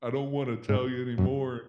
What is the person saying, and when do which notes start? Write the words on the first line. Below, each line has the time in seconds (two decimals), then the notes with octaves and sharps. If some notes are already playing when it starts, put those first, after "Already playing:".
I don't wanna tell you anymore
0.69 G#2
1.18 F#2